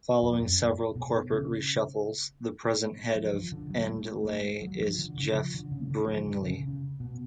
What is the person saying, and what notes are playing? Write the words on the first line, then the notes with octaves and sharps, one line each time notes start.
Following several corporate reshuffles, the present Head of Endleigh is Jeff Brinley.
F2
F#2
B2
C#3
F3
F3
D3
F#3
A3
G#3
F#3
F3
D3
C#3
F3
D3
C#3
D3
F3
D3
C#3
C#3
B2